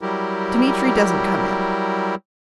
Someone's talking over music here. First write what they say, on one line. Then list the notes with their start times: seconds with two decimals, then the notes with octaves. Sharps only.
Dmitri doesn't come in.
0.01 F#3 G3 E4 G4 A#4